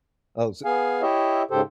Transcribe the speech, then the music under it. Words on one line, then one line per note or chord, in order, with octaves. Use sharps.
Oh, so
B3 G#4 F5 G#5
E4 G4 C#5 D#5 E5
G#2 C#3 G4 A4 C5